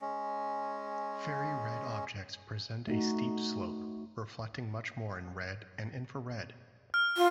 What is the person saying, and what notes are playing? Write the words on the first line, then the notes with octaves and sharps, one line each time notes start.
Very red objects present a steep slope, reflecting much more in red and infrared.
G#3 C#4
A3 D#4 F#4
F6
F4